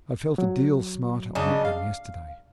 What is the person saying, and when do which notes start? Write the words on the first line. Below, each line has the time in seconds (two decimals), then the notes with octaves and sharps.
I felt a deal smarter on it than yesterday.
0.38 F#3
1.35 C#3 D4 D#4
1.65 F5